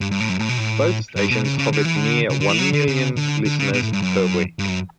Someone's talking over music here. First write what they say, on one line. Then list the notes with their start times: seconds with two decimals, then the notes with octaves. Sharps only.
Both stations hovered near one million listeners per week.
0.01 G2
0.11 G2
0.20 A2
0.29 F#2
0.39 A2
0.49 B2
0.58 A2
1.16 G2
1.31 B2
1.44 C#3
1.58 C#3
1.73 D3
1.85 E3
1.96 D3
2.30 C#3
2.40 D3
2.49 E3
2.59 F#3
2.73 D3
2.88 C#3
3.17 D3
3.45 D3
3.59 C#3
3.73 B2
3.83 A2
3.93 G2
4.02 F#2
4.59 G2
4.69 F#2